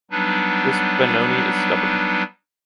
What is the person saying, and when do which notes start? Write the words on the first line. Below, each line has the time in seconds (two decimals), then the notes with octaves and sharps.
This Benoni is stubborn.
0.11 F#3 G3 B3 D4 D#4 B4